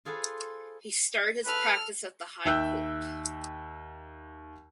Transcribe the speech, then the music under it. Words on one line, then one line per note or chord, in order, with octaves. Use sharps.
He started his practice at the High Court.
F4 G#4 A4 B4 C5
A4 B4 F6
D#2 E5 G5 E6 F#6 G6